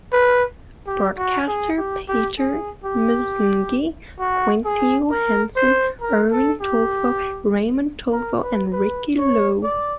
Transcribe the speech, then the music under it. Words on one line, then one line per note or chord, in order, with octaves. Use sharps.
Broadcaster Peter Musngi, Quinito Henson, Erwin Tulfo, Ramon Tulfo and Ricky Lo.
B4
G4
F#4
G#4
G4
G4
G#4
G4
F#4
G#4
A#4
C5
A#4
A4
G4
A#4
B4
B4
C#5
D5